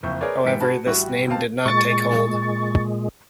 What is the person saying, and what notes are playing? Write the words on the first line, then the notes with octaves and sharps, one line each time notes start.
However, this name did not take hold.
F#1 F2 E5 C#6 G6
G#4 A#4 B4 C#5 D5
G#2 E3 G4 B6 C#7 D7
F#4 G#4 A5 B5
A1 G3 F#4 E5 C#6 F#6
B2 C4 G4 F5 A5
A#2 G#3 C#6 A6